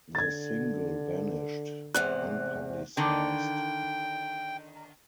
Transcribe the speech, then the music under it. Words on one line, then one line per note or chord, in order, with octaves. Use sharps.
The single vanished, unpublicised.
D3 G#6 A6
E2 G#2 C3 F#6
D3 D#3 G5